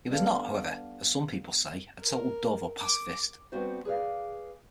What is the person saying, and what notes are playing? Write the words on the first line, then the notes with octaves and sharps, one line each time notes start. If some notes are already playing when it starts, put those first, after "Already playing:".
He was not, however, as some people say, a total dove or pacifist.
G3 B3 D4 A4 F5
A#4
D6
G3 B3 C4 D4 F#4 C5
G#4 B4 D5 F5